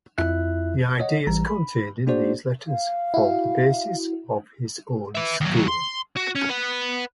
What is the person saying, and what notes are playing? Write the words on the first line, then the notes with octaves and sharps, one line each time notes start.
The ideals contained in these letters formed the basis of his own school.
F2 E4 F4 E5 F#6
C#5 D#5 F#5
A1 E3 G3 A#5
B5
A#3 D4 F#4 G#4 C5 D5
F5
E4 F#4
B4 E5
D#2 F#3
C6
F#4
C#4
B4 F#5